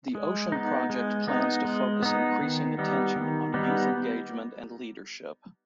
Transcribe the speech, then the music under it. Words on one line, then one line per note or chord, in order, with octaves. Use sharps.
The Ocean Project plans to focus increasing attention on youth engagement and -leadership.
G#3
B3 D#4
G#3
B3 D#4
G#3
B3 D#4
D#3
G3 B3 D#4
D#3
G3 B3 D#4